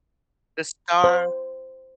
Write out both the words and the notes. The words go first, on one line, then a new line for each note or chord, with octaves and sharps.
The star
C5